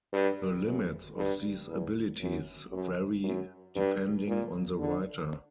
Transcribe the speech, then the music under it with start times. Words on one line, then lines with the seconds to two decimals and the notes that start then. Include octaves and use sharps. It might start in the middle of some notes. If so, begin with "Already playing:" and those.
The limits of these abilities vary depending on the writer.
0.13 G2
0.65 F#2
1.17 G2
1.68 E2
2.21 F#2
2.72 F#2
3.24 F#2
3.76 G2
4.27 A#2
4.79 D3